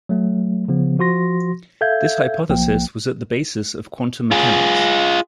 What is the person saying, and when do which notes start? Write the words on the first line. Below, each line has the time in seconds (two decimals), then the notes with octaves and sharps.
This hypothesis was at the basis of quantum mechanics.
0.09 F#3 A3
0.68 C#3 F3 B3
0.99 F3 F#4 C6 A#6
1.81 A4 E5 F5 G6 G#6
2.49 B1 F3 A#3 G5
4.31 F4 G#4